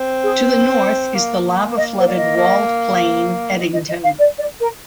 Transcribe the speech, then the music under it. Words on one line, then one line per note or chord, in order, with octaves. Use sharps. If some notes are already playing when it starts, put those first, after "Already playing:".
To the north is the lava-flooded walled plain Eddington.
Already playing: C4
G#4
A#3
D#5
C5
D5
D#5
A#3
D#5
D#5
D#5
F5
D5
D5
A#4